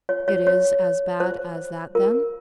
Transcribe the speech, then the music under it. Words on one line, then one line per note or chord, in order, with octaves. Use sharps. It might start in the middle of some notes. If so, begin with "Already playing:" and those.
"It is as bad as that, then?"
C#5
C#5
C#5
C5
A#4